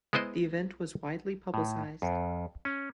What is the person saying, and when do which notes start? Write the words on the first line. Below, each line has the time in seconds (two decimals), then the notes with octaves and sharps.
The event was widely publicized.
0.13 G#3 B3 E4 C5 D#5
1.54 A2
2.02 F2
2.65 C#4